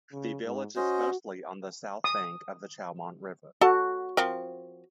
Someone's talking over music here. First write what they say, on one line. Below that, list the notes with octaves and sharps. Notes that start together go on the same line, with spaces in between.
The village is mostly on the south bank of the Chaumont River.
C#3
G#2
C#4 F#4 C5 D#5
D#6
F#4 A4 F#5 A5
F3 C4 A#4